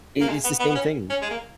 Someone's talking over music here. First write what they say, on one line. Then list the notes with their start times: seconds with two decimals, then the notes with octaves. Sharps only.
It it's the same thing.
0.21 A#3
0.29 G#3
0.44 B3
0.60 B3
0.70 B3
0.75 C#4
1.10 C#4
1.22 G#3
1.31 A#3